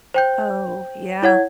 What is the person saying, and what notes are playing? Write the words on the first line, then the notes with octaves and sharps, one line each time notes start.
Oh, yeah.
C5 G5 G6
E4 C#5 F#5 G#6